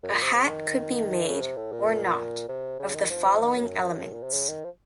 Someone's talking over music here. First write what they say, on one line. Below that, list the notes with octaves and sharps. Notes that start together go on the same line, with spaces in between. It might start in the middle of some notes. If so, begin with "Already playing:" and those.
A hat could be made, or not, of the following elements.
F#2
A#2
C3
C3
C#3
D#3
C#3
C3
A2
A#2
C3
C#3
D#3
F3
F3
D#3
F#2
A2
F#2
A#2
C3
C#3
D#3
F3